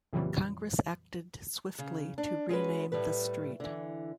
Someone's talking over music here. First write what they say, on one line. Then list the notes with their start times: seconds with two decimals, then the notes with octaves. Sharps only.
Congress acted swiftly to rename the street.
0.13 F2 A#2 C#3 E3 F#3 G3
1.79 C#3
2.18 D4
2.49 G#3 C#4 F#4 B4
2.92 A2 G3 A3 B4
3.60 D3 E3